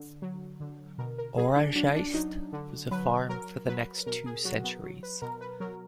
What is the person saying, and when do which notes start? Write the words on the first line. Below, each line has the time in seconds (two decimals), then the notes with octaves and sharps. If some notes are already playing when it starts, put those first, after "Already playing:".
"Oranjezicht" was a farm for the next two centuries.
Already playing: D3
0.22 F#3
0.60 D3
0.98 B2 A#4
1.18 A#4
1.37 F#3 G#4
1.56 D4
1.75 F#3 D4
1.95 D4
2.14 F#3 D#4
2.53 D3
2.91 F#3 B4
3.29 F#3 A#4
3.68 F#3 B4
4.06 B2 A#4
4.26 G#4
4.45 F#3 F#4
4.64 B3
4.83 F#3
5.03 B4
5.22 B2 A#4
5.41 B4
5.60 F#3 A#4